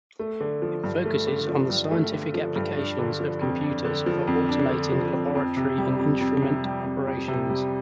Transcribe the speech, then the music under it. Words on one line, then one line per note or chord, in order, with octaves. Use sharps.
It focuses on the scientific applications of computers for automating laboratory and instrument operations.
A3
D3
F3
G2
A3
D3
F3
G2
A3
D3
F3
G2
D4
D3
F3
F2
D4
D3
F3
F2
D4
D3
F3
F2
F2
C3
G3
F2
F2
C3
G3
F2
F2
C3
G3